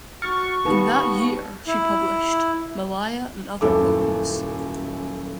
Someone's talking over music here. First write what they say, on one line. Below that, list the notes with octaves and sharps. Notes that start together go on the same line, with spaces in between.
In that year, she published "Melaia and other Poems".
F#4 C#6 F6 A6
D#2 B3 G4 B4
E4
D#1 F#2 E4 A4 D6